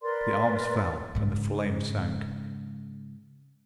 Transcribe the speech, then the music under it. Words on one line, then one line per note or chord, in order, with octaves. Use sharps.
The arms fell and the flame sank.
A#4 B4 D5 C6
G#2 C#3